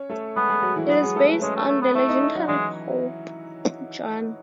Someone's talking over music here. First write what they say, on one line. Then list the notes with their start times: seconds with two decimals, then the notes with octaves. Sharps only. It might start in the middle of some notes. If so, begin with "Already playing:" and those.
It is based on the legendary Pope Joan.
Already playing: C#4 C#5
0.10 A3 A4
0.36 G#3 B3 G#4
0.49 G#3 G#4
0.62 F#3 F#4
0.76 E3 E4
0.89 F#3 B3 F#4
1.02 G#3 G#4
1.16 A3 A4
1.23 B4
1.28 A3 A4
1.42 G#3 C#4 C#5
1.55 A3
1.69 A3
1.82 B3
1.95 A3 E4 E5
2.08 D#4 D#5
2.21 C#4 C#5
2.34 F#3 F#4
2.48 E3 G#3 E4